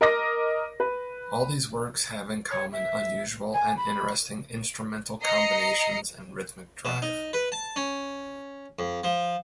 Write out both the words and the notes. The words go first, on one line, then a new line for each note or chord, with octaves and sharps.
All these works have in common unusual and interesting instrumental combinations and rhythmic drive.
A#4 D#5 D6 A#6
B4
C#5
E5
G#5
B5
D#5 A#5 C7 C#7
B2
D#4
B4
A5
C#4
F2
F3